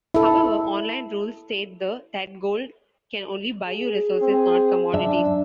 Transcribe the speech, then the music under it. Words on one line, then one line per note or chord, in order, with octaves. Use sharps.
However, online rules state that Gold can only buy you resources, not commodities.
E4 A4
G#4
C4
F#2 D4 E5